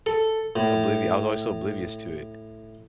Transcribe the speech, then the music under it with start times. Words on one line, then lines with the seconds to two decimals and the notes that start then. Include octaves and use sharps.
obliviou I was always so oblivious to it,
0.06 A4
0.56 A2